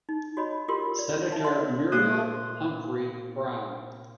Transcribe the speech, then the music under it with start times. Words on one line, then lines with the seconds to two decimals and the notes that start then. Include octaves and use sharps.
Senator Muriel Humphrey Brown.
0.09 D#4
0.37 F#4 C#5 D#5 B5
0.68 F4 G4 A#4 C6
0.99 D5
1.32 D#4 E5 A5
1.44 C#5 D#5 E5 F#5 C6
1.92 A#2 C5 D#6 F#6